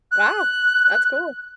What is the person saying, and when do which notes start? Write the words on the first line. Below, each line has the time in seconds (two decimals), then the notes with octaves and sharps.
Wow, that's cool.
0.11 F#6